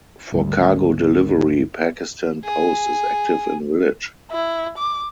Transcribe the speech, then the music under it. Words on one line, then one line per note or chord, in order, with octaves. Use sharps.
For cargo delivery Pakistan Post is active in village.
G#1 D2 G3
G#4
E4
D6